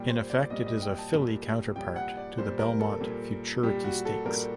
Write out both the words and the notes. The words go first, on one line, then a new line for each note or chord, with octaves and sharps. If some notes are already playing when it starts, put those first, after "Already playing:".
In effect, it is a filly counterpart to the Belmont Futurity Stakes.
Already playing: A#2 G3 G5
C5
D5
A#2 G3 D#5
D#5
G5
A5
A#2 G3
A#2 G3 G5
F#5
D5
A#2 G3 C5
A#4
A4
A#2 G3
A#2 G3 G4
F#4
A4
A#2 G3 A#4